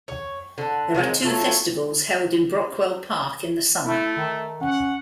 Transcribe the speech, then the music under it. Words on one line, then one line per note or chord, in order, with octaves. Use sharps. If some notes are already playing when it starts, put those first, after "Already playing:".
There are two festivals held in Brockwell Park in the summer.
C#5
D3 F#5
D#3 F#3 G#3 C4
F#3 A3 F4
A3 E4
D#3
C#4 F#5